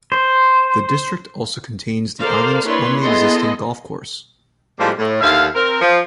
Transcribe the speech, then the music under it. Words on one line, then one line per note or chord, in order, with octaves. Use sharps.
The district also contains the island's only existing golf course.
C5
A4 A#4 C5 D5 F5
A#3 D4 E4 B4 C#5 C6
B3 E4 G#4 A4 D#5 C6
A2 F3 G3 G#3 A#3 C4
A2
D#2 D3 E5 F5
C4 A#4
F3